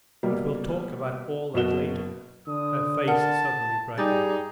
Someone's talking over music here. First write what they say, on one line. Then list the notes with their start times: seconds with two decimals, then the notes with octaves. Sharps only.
"But we'll talk about all that later," her face suddenly brightening.
0.23 B2 G3 A#3
1.54 F#1 B2 F#4 E7 G7
2.48 D3 D#6
3.07 A#4 F#5 A5 F6
3.98 G3 D#4 G#4 D6 G6 A6